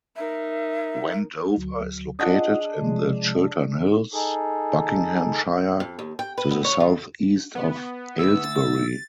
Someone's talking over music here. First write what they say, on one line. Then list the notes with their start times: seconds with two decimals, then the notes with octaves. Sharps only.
Wendover is located in the Chiltern Hills, Buckinghamshire, to the south-east of Aylesbury.
0.16 D#4 A#4 E5
1.58 D2 F#3
2.19 D4 F4 G#4 D#5 F#5 D#6
2.81 C3 F3 G#3
4.14 D#4 G#4 A4
5.80 F2
5.99 D#2
6.19 G5
6.38 B4
6.51 B3
6.65 C#5
6.80 D#3
7.55 B3
8.18 D2 E6
8.44 A6